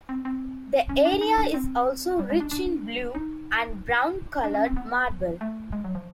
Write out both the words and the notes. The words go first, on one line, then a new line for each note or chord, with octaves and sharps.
The area is also rich in blue and brown colored marble.
C4
C4
C#4
D4
D#4
D4
C4
G3
G#3
D4
D4
D#4
D4
C#4
C4
B3
A3
G#3
F#3
F3